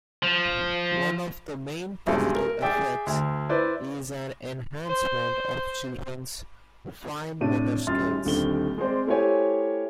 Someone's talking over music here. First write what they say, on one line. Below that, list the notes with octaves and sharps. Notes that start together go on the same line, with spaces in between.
One of the main positive effects is an enhancement of children's fine motor skills.
F3
D#1 B1 G2 G#3
A#4
G#4 D5 E5 G5
D2
E4 B4 C5 D5
C5
A2 C3 D4 E5 D#7
D#1 F#2 E5 C6 F6 A6
D#1 D#2 D3 C4 G7
G#3 C4 C5 D5
A3 E4 G4 C5 C#5 G#5